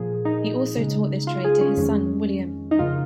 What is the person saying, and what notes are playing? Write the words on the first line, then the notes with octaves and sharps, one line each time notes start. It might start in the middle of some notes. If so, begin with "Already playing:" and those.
He also taught this trade to his son William.
Already playing: A#2 F3 A#3 G#4
D#4
C#3 G#3
F4
G#4
C#4
F2 D#3 G#3
D#4
F2 C#3 A#3 F4